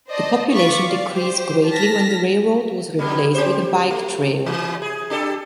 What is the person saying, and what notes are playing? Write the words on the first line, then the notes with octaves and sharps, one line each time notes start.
The population decreased greatly when the railroad was replaced with a bike trail.
C5 D5 D#5 A5
F4 B4 C#6 D6 B6
D5 F5
G4 C5
A5 F6 A#6 B6
F2 D3 G3
C#4 G4 C5
A3
E3
G#4
D4 G4 A4